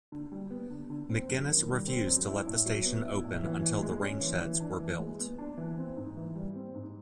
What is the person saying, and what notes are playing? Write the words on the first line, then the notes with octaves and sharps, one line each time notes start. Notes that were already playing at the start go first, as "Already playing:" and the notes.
McGuinness refused to let the station open until the rainsheds were built.
D3
G3
B3
D3
D3
C4
F#2
D#3
G3
C4
F#2
E4
A2
F#3
B3
E4
A2
E3
E3
G#3
C#4
E3
E3
D4
E3
G#3
B3
D4
E3
C4
G#2
E3
G3
C4
G#2